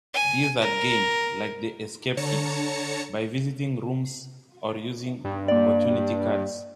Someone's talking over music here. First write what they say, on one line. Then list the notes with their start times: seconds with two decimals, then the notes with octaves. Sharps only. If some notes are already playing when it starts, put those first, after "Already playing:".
These are gained, like the escape kit, by visiting rooms or using Opportunity Cards.
0.14 G#5
0.61 A#4
2.17 D3 C#5 A5 A#5 C#7
5.24 G2
5.48 A#3 D5